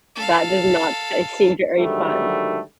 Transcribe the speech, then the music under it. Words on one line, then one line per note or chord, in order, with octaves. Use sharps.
That does not can't seem very fun.
A4 F5
G#2 D3 D#3 F#3 G3 A3